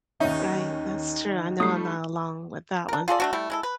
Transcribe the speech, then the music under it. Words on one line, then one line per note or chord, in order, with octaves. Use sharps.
Right. That's true. I know I'm not alone with that one,
D#2 C#4 D#4 E5
G3 A3 D#6 C7
D4 A#4
F4 G#4 A4 D5
A3 D4 F#4
G3 A3 E4
G#3 E4 A4
B4